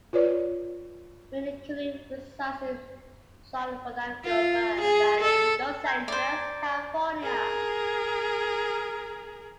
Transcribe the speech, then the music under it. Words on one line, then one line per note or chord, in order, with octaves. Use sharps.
Moon currently resides in San Fernando Valley, Los Angeles, California.
F4 B4 C#5 D5
F4
G#4
A4
A#5 G6 G#6
C5 D5
G#4 A#4